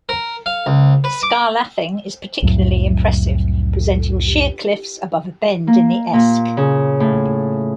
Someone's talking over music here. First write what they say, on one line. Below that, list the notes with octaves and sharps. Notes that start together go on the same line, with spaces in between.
Scar Lathing is particularly impressive, presenting sheer cliffs above a bend in the Esk.
A#4
F5
C#2
B4
D6
C2 F2 A2 F#3
A#3
A#2
C#3
A2